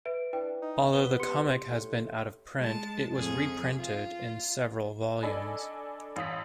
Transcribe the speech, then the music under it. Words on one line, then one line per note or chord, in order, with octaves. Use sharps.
Although the comic has been out of print, it was reprinted in several volumes.
B4 E5 D7
D4 E4 B4 G5
D#4
B3 G7
G4 C6 C#7
A2
G#3 A5
F2 G#4
F4
D4 A4 D5 D#5 G#5 B5
A1 F5 D#6 B6